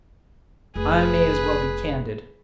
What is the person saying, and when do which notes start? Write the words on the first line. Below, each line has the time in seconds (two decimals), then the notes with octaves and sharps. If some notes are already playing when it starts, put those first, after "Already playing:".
I may as well be candid.
0.76 F1 G#4 B4